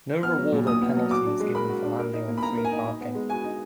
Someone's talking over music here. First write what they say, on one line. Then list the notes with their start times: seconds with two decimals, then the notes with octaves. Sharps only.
No reward or penalty is given for landing on Free Parking.
0.23 B3 F6
0.38 F#3
0.52 A#2
0.67 A#2 D#6
0.81 B3
0.96 F#3
1.11 F#4 D6
1.26 D4
1.40 G#3
1.55 A#4 B5
1.70 F#4
1.84 D4
1.99 A#4
2.13 D#4
2.28 A#3
2.38 B5
2.43 A#3 A#5
2.57 A#4
2.65 G#5
2.72 D#4
2.87 D#4
3.01 B3
3.15 G#3
3.30 F#4 G#5
3.44 D#4